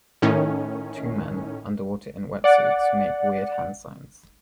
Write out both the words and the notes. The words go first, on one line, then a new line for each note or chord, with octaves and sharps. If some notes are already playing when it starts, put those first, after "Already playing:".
Two men, underwater in wetsuits make weird hand signs.
A2 D#3 C#4
D5 F#5